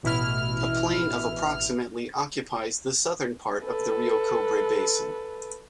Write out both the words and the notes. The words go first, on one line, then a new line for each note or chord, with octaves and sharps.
A plain of approximately occupies the southern part of the Rio Cobre basin.
A1 B2 E4 F6
A4 B4